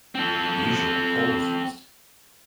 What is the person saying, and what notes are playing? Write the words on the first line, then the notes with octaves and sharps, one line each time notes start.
Usually, coal is used.
C4 A4